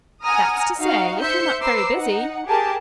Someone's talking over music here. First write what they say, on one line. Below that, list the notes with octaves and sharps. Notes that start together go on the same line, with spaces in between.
"That's to say if you're not very busy."
F#5 G#5 A#5 D#6 F6
D#4 F#4 F5 F#5
C5 E5 G6 C#7
B4 C5 A#5 D6 E6 C7
D#4 F#5
G4 G#4 A#4 A5